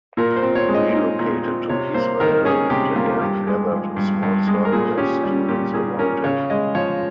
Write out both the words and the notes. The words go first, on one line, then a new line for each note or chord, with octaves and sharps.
He relocated to Israel, and again gathered a small circle of students around him.
A#2 A#4
C5
C4
C#5
G#3
D#5
D#4
A#2
C4
C3 C#5
A#3 C5
D#3 A#4
C#4 G#4
C3 G4
A#3 F4
G2 G4
G#3
F3
G2
G2
G#3
A#4
A#2 G#4
C#4 G4
G3
A#2 G4
A#2 G#4
C#4 A#4
C#3 C#5
G#3 D#5
F3 C#5